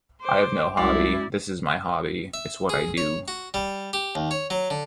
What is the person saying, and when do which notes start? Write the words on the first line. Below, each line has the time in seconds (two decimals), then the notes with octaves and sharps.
I've no hobby, this is my hobby - it's what I do.
0.21 C5 D6
0.77 C2 G#3 C#4 E4 F#4 D5
2.34 E5
2.69 G#4
2.97 C#5
3.28 F#4
3.54 G3
3.93 G4
4.15 D#2
4.31 C#5
4.50 F#3
4.70 D3